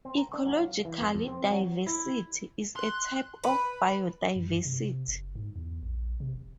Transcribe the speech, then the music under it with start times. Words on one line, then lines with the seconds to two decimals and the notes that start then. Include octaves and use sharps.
Ecological diversity is a type of biodiversity.
0.05 C4
0.17 A#5
0.34 D4
0.46 F#3
0.62 F5
0.85 E3
1.00 F2
1.15 F2
1.28 C4
1.51 F#3
1.86 E4
2.76 C6 F#6
3.44 B4
4.36 F#2
4.50 G2
4.65 C3
5.08 F#1
5.35 G#2
5.56 E2
5.83 A#1
6.20 C3
6.35 E1